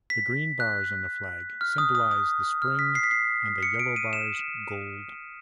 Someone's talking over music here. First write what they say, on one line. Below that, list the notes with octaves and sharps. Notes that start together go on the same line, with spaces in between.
The green bars in the flag symbolize the spring and the yellow bars gold.
B6
F#6
F6
D#6
D#6
D#6
F6
B6
C7
B6
C7
C#7
D7
D#7
E7